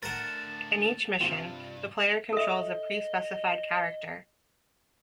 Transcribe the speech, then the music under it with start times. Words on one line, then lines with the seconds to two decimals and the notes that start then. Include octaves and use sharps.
In each mission, the player controls a pre-specified character.
0.03 A2 D3 A#4 F#5 A6 E7
1.21 G2 C3 F4
2.33 A4 D#5 E5